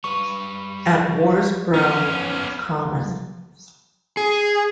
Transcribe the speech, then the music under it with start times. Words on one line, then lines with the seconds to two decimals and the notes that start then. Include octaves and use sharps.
At Worsbrough Common.
0.04 G3 B4 C#6
1.74 B3 C#4
4.17 G#4